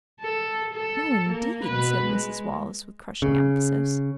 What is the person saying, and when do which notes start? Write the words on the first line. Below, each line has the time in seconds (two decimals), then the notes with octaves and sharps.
"No, indeed," said Mrs. Wallace, with crushing emphasis.
0.20 A4
0.73 A4
1.29 A#3
1.64 B2 B4
2.05 G#3
3.22 C#3